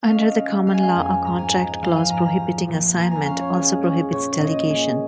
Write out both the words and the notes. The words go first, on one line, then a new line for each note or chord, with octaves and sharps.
Under the common law, a contract clause prohibiting assignment also prohibits delegation.
F5
C#4 D#5
G#3
G#3 F5
G#5
F5
F2 G#5
G#2 A#5
G#5
G#3 A#5
G#5
F3 F5
G#5
G#2 A#5
A#5
F3
A#2
A#2 A#5
G#5
A#5
C#4 F5
C#5
G#3 G#4
C#4 G#4
A#2 C#5
A#2 D#5
G#3 G#4